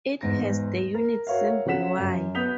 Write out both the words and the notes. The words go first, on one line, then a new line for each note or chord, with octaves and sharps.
It has the unit symbol Y.
E2 G#2 A#6
A#4
F#4 A#4 C#5 E5 F5
C#3 F#3 A4 F#5 B6 E7
F#2
B3 D#6 G6 B6 F7